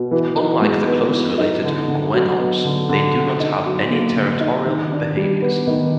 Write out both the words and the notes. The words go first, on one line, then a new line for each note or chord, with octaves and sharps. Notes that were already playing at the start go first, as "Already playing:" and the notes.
Unlike the closely related guenons, they do not have any territorial behaviors.
Already playing: B2
E3
D#4
G#3
B3
E3
D#4
D3
D3
F#3
B3
D3
D3
D3
D#4
F#3
A#3
D3
D#4
D#3
D4
G3
B3
D#3